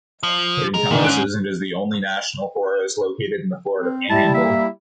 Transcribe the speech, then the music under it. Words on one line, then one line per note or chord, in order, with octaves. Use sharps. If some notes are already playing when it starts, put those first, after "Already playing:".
It encompasses and is the only national forest located in the Florida Panhandle.
F3
G#3 A#4
G#2 D#3 E3 D4
C#4 F#6 D7
C4
G3 G#3 E4 A5
A#3 E5